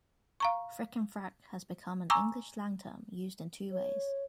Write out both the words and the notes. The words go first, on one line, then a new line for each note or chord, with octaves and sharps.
"Frick and Frack" has become an English slang term used in two ways.
F5 A#5 C#6
G#5 A#5 C#6 D6 E6
C#5